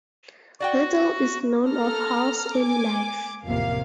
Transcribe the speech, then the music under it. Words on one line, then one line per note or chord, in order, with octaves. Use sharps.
Little is known of Hall's early life.
F#4 D5 F#5 G5
A4 A#5 F6
G#5 D6
A1 F2 C3 A#3 F5